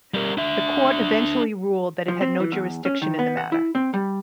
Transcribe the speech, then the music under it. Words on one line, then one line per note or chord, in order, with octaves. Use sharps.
The court eventually ruled that it had no jurisdiction in the matter.
G3 A#4
D4 E5
F3
C4
E3
E2
C#4
D#3
B3
F#5
E4
C4
G3